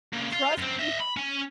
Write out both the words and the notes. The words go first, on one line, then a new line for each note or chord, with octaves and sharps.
Trust you
A#2 C#3
F4
F#2 C4
D#5 E5
B5
C#4 G#5